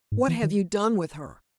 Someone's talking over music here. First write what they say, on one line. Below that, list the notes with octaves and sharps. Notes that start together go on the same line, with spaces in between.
What have you done with her?
G#2
E3
D#3